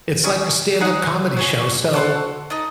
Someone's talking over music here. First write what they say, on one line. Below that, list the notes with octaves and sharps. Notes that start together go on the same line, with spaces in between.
It's like a stand-up comedy show, so,
C#4 G#4 D#5
D#4 G#4 D#5 F#5
F#4 C#5 G#5
F#4 A4 C5 F#5
D#4 A4 D#5